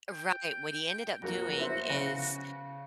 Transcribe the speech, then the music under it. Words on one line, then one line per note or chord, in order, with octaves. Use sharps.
Right. What he ended up doing is,
G5
F2 F#3 A#3 F#4
B3 E4 C5
C#3